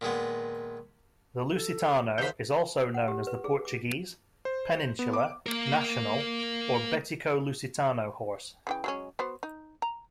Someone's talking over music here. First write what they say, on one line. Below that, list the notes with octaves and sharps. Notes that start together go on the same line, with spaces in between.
The Lusitano is also known as the Portuguese, Peninsular, National or Betico-lusitano horse.
A#2 D#3 G#3 B3
A4
D#2 C5 E5 G6 B6
F#5
G4
B4
G#4
D6
C5
B3
D6
A#3 A#4
C#3 E3 G5
F#3 G#3 C#4
B3 F#4 C5
D#4
A#5